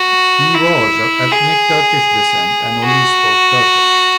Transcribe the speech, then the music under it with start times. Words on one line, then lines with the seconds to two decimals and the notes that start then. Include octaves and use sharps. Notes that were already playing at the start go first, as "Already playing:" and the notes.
He was of ethnic Turkish descent and only spoke Turkish.
Already playing: F#4
0.55 E4
1.31 G#4
2.84 F#4